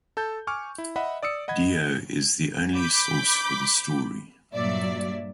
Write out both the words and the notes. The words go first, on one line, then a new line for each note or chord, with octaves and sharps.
Dio is the only source for the story.
A4 A5 G6
G#5 C#6 D6 F6
E4
D#5 E5 F#5 B5
D5 D#6 E6 C#7
D#5 F#5 B5 G#6
B5 D6 G6
G2 A#2 F#3 D5 E5